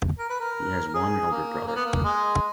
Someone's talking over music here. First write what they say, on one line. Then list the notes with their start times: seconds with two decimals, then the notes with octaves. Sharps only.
He has one elder brother.
0.19 A#4
0.30 B4
0.40 A#4
0.87 A#4
0.94 G#4
1.31 A#3
1.67 A#3
1.76 B3
1.85 A#3
2.04 G#3